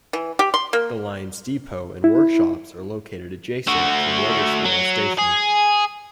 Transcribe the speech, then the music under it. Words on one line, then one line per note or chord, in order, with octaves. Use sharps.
The line's depot and workshops are located adjacent to Wilderswil station.
E3
G4
C6
A#3
E4
A3 F#4
F#3
G#4